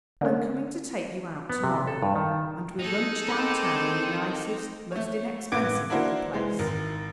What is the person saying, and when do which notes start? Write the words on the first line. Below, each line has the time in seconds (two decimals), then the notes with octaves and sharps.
I'm coming to take you out to-morrow, and we'll lunch down town in the nicest, most inexpensive little place.
0.21 D3 A#3 C#4
1.49 B3
1.64 C3
1.87 A4
2.03 G2
2.16 D#3
2.79 A#3 D#4 G#4 A4
3.29 C4 A#4 B5 D6
4.92 A3 C#5
5.52 A1 B3 F#5 D6 G#6 D7
5.90 A#3 D4 E4 F#4 A#4 C5
6.33 E3 G#3
6.59 G#1 D#3 A#4